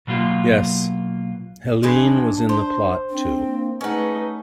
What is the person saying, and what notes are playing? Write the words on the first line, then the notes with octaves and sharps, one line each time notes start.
Yes, Helene was in the plot too.
B2 F#3 A#3 F4 G4
E3 F3 G#3 D4
C5
C4 D4
A#3
A3 C#4 D#4 G#4 B4 F#5